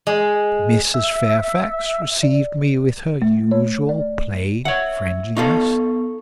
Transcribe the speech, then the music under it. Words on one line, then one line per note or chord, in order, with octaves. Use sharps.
Mrs. Fairfax received me with her usual plain friendliness.
G#3
E5
D5
A3
C#5
D5
C#5 E5 F#5
B3 D#4 F4 A4 C#6